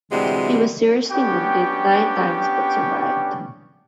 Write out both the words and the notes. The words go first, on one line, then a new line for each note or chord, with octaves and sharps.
He was seriously wounded nine times but survived.
D2 C3 E3 G3 G#3 F#4
B3 C#4 D4 G4 G5 C#6